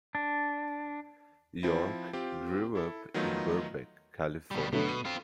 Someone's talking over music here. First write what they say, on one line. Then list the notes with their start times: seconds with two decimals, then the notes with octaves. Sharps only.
York grew up in Burbank, California.
0.15 D4
1.63 F3 C4 E4
2.13 C4 F4 G4
2.75 E4 A4
3.14 D#3 F#3 A3 B3 D#4 F4
4.51 B2 G3
4.73 B2 D3 F#3 A3
4.89 D#7
5.05 C4 F4